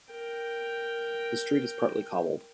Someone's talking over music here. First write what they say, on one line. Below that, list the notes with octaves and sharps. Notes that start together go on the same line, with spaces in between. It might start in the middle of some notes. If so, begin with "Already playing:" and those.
The street is partly cobbled.
A#4 G5